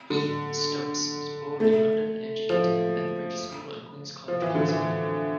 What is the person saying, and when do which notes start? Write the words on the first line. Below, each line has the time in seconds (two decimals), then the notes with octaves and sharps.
Heath-Stubbs was born in London, and educated at Bembridge School and Queen's College, Oxford.
0.10 D3
1.60 A3
2.50 F3
4.28 F3
4.42 E3
4.55 D3
4.69 E3